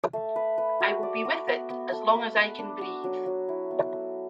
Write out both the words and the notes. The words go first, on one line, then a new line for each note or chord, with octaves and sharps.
I will be with it as long as I can breathe.
A3
B4
B4
F#4
D5
F#4
B3
B3
A4
B4
B4
D4
F#4
F#3
F#3
E4
B3
A4